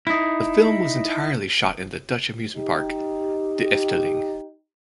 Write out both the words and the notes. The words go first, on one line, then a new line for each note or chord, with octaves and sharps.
The film was entirely shot in the Dutch amusement park De Efteling.
D#4 E4
D#4 G4